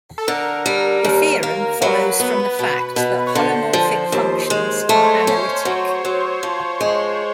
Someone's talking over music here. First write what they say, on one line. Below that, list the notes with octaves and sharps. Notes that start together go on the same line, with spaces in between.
The theorem follows from the fact that holomorphic functions are analytic.
A4
D3 A#4
G3
D#2
A#3
F#3 B4
B3
B2
B2
C#5
D3 C5
F3
D#2
G#3
A3 C5
C#5
C5
C#4
F#3
F#3
F3
G#3